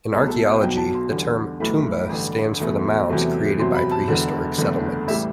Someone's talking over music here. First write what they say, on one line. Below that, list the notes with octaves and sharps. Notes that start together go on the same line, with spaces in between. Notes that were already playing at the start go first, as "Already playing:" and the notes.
In archaeology the term Toumba stands for the mounds created by prehistoric settlements.
C2 B2 A3
A4
C5
B1 B2 F#3 G5
A5
C6
E2 D3 G3
B1 A2 E3 A3 B5
A1 G2 D3
E2 B2 A3
E2 C3 F#3 A3
E2 C3 F#3 C6
B5
A5
E1 E2 D3
F#1 E2 D3 A3
A1 A2 G3 E5